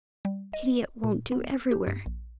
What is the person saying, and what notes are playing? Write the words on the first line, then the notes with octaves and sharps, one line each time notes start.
Pity it won't do everywhere!
G3
D#5
A#2
B3
G4
G2
A#1